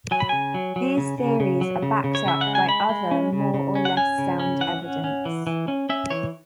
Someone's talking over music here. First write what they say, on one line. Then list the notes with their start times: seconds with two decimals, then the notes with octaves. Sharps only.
These theories are backed up by other more or less sound evidence.
0.11 F#3 G#5
0.20 B5
0.29 C#3 G#5
0.54 F#3
0.76 F#3
0.97 C#3
1.18 C#3
1.40 C#3
1.61 F#3
1.83 C#3
2.04 C#3
2.15 C#5
2.25 C#3 E5
2.41 F#5
2.47 G#3
2.55 G#5
2.68 G#3 B5
2.89 G#3
3.11 C#4
3.33 C#3
3.54 C#3
3.75 C#4
3.85 F#5
3.97 C#4 G#5
4.18 C#3
4.40 C#4
4.61 E3 F#5
4.82 C#4
5.04 C#4
5.25 E3
5.47 E3
5.68 C#4
5.89 C#4 E5
6.10 E3 C#5